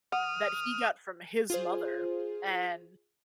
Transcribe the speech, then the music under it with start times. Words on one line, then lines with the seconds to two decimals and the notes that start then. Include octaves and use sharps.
that he got from his mother, and
0.12 F#5 D#6 F6
1.50 F4 G#4 C5